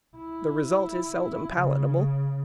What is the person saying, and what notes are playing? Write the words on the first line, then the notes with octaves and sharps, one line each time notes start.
The result is seldom palatable.
E4
C#3